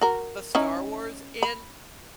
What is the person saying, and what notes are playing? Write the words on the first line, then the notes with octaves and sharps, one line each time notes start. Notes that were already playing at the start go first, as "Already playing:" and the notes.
the Star Wars, and,
F#4 A#4
C#4 D#4 E4
B5